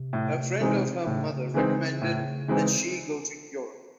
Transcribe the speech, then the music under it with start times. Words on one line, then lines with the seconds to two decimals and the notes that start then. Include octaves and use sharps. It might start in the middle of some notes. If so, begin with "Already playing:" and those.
A friend of her mother recommended that she go to Europe.
Already playing: C3
0.13 A2
0.61 E3 G#3 C4 D#4
1.06 A2 C#3
1.54 E3 G#3 C4 D#4
2.02 A2
2.48 E3 G#3 C4 D#4